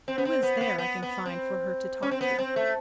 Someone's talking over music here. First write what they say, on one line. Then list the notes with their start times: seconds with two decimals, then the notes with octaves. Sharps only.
Who is there I can find for her to talk to?'
0.08 C4
0.18 B3
0.25 C4
0.43 B3
0.61 B3
0.78 B3
1.03 B3
1.26 C4
2.03 C#4
2.11 C4
2.21 B3
2.39 C4
2.56 A3